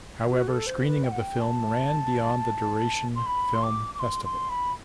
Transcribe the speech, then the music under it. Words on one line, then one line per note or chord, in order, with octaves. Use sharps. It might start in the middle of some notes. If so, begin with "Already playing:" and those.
However screening of the film ran beyond the duration film festival.
F#4
A4
C5
B4
G5
F#5
G5
A5
C6
B5
C6
D6
D6
C6
C6
B5